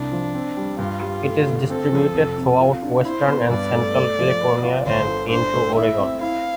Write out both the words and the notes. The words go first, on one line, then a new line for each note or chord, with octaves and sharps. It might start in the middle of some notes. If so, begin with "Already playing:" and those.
It is distributed throughout western and central California and into Oregon.
Already playing: C2 D4
F3
C4
G3
G2 F4
G3
A3
D3
C4 A4
F3
F1
C3
F4
D4
E4 C5
B3
G2 D5
A3
A3
F3
B4
F4
G1 C5
D3
D4 C5
A3
E4 E5
C4
E4 F5